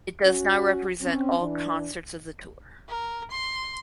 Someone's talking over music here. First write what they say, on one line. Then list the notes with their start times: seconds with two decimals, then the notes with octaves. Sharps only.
It does not represent all concerts of the tour.
0.20 C#4 F#4
1.00 C4 C#4
1.40 E3 D4
2.89 A#4
3.31 C6